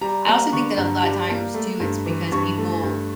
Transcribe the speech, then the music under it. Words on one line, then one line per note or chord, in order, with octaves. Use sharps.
I also think that a lotta times too, it's because people
G3 A#5
A#3 A#5
D3 C#6
G2 A#5
G3
A#3
A3
G2
E3
G2 C#6
A3
G2